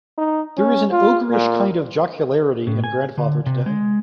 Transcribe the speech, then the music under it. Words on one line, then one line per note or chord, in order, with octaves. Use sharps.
There is an ogreish kind of jocularity in Grandfather today.
D#4
C#4
F4
A#2
A2
G#5
D3
C3
G#3